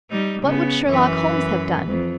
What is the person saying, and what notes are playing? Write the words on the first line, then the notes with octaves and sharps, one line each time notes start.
What would Sherlock Holmes have done?
G3 D#4
C#3 B3
F#2 E3 B4
F2